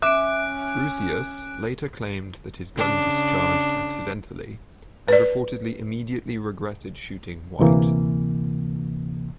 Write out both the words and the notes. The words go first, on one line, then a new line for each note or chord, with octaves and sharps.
Brocius later claimed that his gun discharged accidentally and reportedly immediately regretted shooting White.
C#4 E5 D6 F#6 D7
C#3 D4
B4 D5
D2 C3 E3 A#3